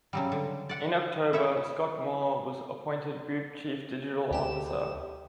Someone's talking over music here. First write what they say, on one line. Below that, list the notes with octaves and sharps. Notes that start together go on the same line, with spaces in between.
In October, Scott Moore was appointed Group Chief Digital Officer.
C#3 F#3 G3
D3
D5 F#5
E4 C#5 E5
D2 G4 E7